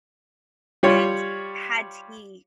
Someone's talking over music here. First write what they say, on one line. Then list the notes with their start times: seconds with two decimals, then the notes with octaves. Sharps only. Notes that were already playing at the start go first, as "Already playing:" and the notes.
and had he
0.83 G3 F4 C#5